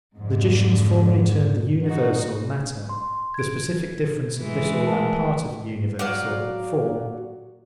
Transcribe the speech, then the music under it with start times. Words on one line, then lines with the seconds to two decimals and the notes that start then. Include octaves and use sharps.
Logicians formerly termed the universal, matter, the specific difference of this or that part of the universal, form.
0.16 F2 G#2 D3
1.84 G#3 D#4 F#4
2.89 C6
3.34 G#6 D7
4.40 E3 G#3
4.86 A3 A#4 A5
5.99 F#3 D5 F5